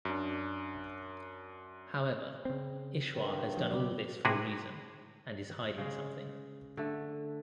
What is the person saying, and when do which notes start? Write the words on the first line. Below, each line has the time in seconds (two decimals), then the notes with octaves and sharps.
However, Ishwar has done all this for a reason and is hiding something.
0.05 F#2 D4
2.45 C#3 C4
3.11 G2 D#3
3.57 F3
3.71 C#3 F#3 G3 G4
4.25 A2 C3 E4 F#4 G#4 B4
5.78 C#3 G#3
6.77 D3 A3